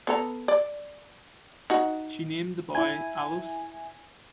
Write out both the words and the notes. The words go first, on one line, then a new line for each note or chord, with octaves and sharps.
She named the boy Alois.
B3 A4 A#5
D5
D#4 F#4
E4 G#5